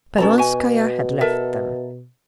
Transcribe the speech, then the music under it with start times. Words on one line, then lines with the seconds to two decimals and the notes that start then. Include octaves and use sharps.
Peronskaya had left them.
0.18 B2 C#4 A4 A#5
0.38 F#4 G#5
1.21 A4 A#4 E5